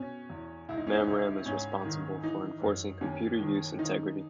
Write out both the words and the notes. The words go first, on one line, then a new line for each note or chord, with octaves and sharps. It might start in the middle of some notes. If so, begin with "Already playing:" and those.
Mamram is responsible for enforcing computer use integrity.
Already playing: B2 C#4
E2
C#2 E4
D#4
C#4
D#4
C#2
G#2 C#4
D#3
E3 D#4
F#2
D#2 C#4
D#3
D#3 D#4